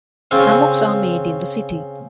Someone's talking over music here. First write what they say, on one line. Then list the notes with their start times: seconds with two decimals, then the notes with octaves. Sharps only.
Hammocks are made in the city.
0.31 C#3 C4 C#4 F4